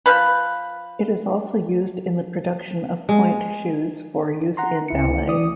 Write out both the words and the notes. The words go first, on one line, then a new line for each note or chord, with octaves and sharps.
It is also used in the production of pointe shoes for use in ballet.
F3 B4
G#3
F#5 A#5 C6
C#2 E4 C#7
E3 D5 D#6